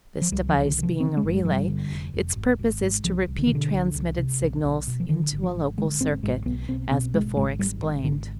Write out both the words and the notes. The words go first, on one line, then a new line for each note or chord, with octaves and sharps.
This device being a relay, its purpose is to repeat transmitted signals into a local circuit, as before explained.
F3
C2 G3
F3
C2
D3
C3 D#3
F3
D3 C4
G#3
G1
G#3
G1 F3
G3
D3
F1
F1
G#1
G#1
G#2
C2 F3
C2
D3
D#3
B2 D3
C2
C2
C3
B1
B1
B2
F3
D3 D#3
G#1
F3
G#1
D3 G#3
G#1 C4
G#1 G#3
B1 B3
B1 C4
B2 C4
G#1 G#3
G#1 G#3
G#2 G3
G#1 D#3
G#1 D3